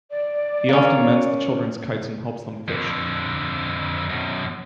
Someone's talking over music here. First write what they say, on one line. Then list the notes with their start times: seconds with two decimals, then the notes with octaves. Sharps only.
He often mends the children's kites and helps them fish.
0.10 D5
0.69 A#3 C#4
2.68 F2 D3
4.10 F#2 B2